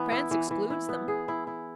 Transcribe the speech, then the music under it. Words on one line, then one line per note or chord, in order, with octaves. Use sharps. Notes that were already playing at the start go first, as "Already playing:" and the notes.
France excludes them.
Already playing: E3 B3
E4
E3
E3
E4
B3
G#4
E4
E4